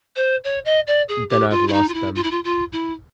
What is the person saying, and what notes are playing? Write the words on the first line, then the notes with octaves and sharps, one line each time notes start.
Then I’ve lost them.
C5
C#5
D#5
D5
G#4
G4
F4
E4
D#4
F4
E4
F4
E4
F4
F4
E4